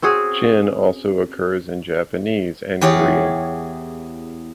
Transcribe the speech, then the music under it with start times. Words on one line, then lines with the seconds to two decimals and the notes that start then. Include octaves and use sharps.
"Jin" also occurs in Japanese and Korean.
0.02 C4 C#4 F#4 G#4
2.81 E2 G4 G#4 C#5